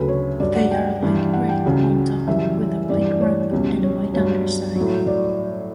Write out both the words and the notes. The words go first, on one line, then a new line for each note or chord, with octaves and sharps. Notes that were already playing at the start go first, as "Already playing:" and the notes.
They are light gray on top with a white rump and a white underside.
Already playing: D2 C#3 F#3 A4 B4
C#5
G2 F#3 D5
F#5
G5
G2 E3 G3
F#5
G5
C#2 C#3 F#3
F#2 E3 G3 E5
G2 E3 G3 D5
D5
C#5
C#2 B2 G3
C#5
G2 F#3 C#5
A2 F#3
D5